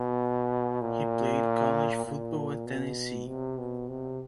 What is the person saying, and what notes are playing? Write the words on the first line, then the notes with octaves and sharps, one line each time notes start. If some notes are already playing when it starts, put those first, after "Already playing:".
He played college football at Tennessee.
Already playing: B2
A#2
A#2
B2
C3
B2
C3